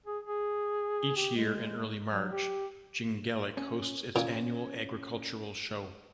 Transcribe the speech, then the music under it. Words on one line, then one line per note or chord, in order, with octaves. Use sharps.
Each year in early March Jingellic hosts its annual agricultural show.
G#4
G#4
G4
G#3
F#3
G4
C#4
A#2 C#4